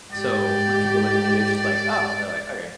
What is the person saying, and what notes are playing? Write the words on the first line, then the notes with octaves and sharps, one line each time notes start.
so when people look at me, they're just like, "Oh," and they're like, "Okay,"
G#2 G4 D5